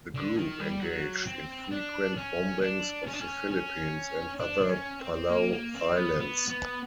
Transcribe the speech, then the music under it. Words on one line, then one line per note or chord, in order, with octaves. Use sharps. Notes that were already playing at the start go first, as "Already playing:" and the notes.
The group engaged in frequent bombings of the Philippines and other Palau Islands.
D3
D#3
G3
F#3
C4
D4
C#4
D4
C#4
D4
C#4
C#4
D4
D4
C#4
C4
A#3
A#3
C4
B3
B3
B3